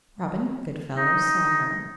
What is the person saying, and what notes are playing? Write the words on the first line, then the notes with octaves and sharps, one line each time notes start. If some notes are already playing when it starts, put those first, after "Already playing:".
Robin Goodfelllow saw her.
D#4